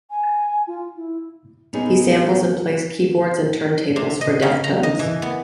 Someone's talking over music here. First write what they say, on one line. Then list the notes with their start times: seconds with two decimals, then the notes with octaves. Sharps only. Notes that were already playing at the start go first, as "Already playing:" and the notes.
He samples and plays keyboards and turntables for Deftones.
0.10 G#5
0.67 F4
0.96 E4
1.73 A#2 B3 C#4 D#4 G#4
3.96 C3
4.21 D#5
4.42 C#3
4.64 A#5
4.83 D#5
4.99 E3
5.22 B3